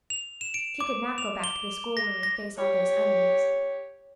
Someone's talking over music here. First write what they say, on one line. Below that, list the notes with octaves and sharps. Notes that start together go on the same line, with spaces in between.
She could not go back to the schoolroom and face all those enemies.
F7
E7
D7
D6
F7
G7
A#6
A#6
G4 C#5